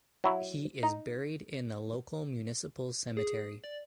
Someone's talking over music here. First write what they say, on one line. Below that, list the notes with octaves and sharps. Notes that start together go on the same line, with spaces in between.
He is buried in the local municipal cemetery.
F#3 E4
D#4
G#4
D5